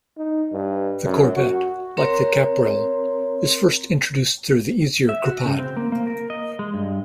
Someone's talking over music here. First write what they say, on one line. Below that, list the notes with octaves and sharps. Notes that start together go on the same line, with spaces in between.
The courbette, like the capriole, is first introduced through the easier croupade.
D#4
G2
F#2
F#4
C4 A#4 C#5 A#5 C6
E5
F#4
C#3
C4
A#3
A#3
A#4
D#5
G#3
G2